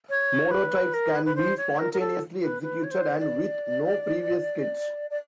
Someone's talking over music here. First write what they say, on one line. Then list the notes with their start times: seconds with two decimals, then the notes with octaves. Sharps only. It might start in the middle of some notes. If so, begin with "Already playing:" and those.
Monotypes can be spontaneously executed and with no previous sketch.
0.10 C#5
0.51 B4
0.94 A#4
1.15 B4
1.25 B4
1.36 C5
1.57 C#5
1.79 A#4
1.93 A#4
2.00 A4
2.41 B4
2.63 B4
2.84 C#5
2.91 C5
3.19 D5
5.11 D5